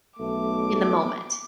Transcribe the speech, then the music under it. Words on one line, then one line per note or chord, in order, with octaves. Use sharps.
in the moment.
B1 A3 D6